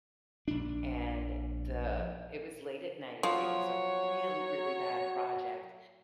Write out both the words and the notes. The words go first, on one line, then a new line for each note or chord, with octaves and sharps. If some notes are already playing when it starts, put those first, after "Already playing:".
and the it was late at night, it was a really, really bad project,
A#1 D4
F3 F#3 C#5